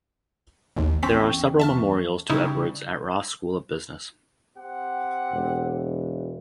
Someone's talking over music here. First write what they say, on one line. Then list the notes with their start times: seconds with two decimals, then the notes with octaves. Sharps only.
There are several memorials to Edwards at Ross School of Business.
0.77 A1 D#2
1.03 E2 C4 C#4 G5 B6
1.60 E5 A5 F6
2.30 C#3 G3 D#4 E4
4.57 C4 G4 F#5
5.32 E1